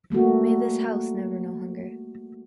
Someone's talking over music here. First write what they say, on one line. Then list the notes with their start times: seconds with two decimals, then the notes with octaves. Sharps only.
May this house never know hunger.
0.10 G3 A3 A#3 F#4